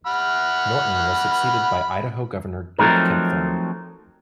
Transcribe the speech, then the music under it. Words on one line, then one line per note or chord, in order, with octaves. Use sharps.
Norton was succeeded by Idaho governor Dirk Kempthorne.
F#5 B5 F6
F3 F#3 A3 C4 D#4 A#4